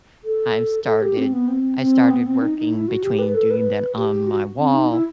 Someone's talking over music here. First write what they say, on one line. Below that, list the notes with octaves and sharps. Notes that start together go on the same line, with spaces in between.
I've started I started working between doing them on my wall
A4
A4
G4
C4
B3
C4
C4
B3
C4
D#4
D#4
E4
F#4
G4
B4
A4
B4
G4
F#4
C4
D#4
E4